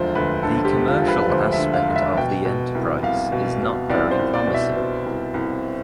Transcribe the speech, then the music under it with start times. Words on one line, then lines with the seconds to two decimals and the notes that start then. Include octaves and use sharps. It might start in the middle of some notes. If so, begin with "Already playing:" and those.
The commercial aspect of the enterprise is not very promising.
Already playing: E1 D2 D3 F3 C5 F5
0.15 D2 B4
0.43 D3 A4
0.65 G4
0.72 E1
0.88 F4
1.02 F3
1.08 B4
1.30 D2 C5
1.52 E5
1.59 D3
1.74 F5
1.88 E1
1.96 E5
2.17 B2 G5
2.45 B2
2.75 C2
3.03 C2 F5
3.32 B2
3.62 B2
3.90 C2 D5
4.11 C5
4.19 C2
4.33 D5
4.47 B2
4.54 E5
4.76 B2
5.06 C2
5.34 C2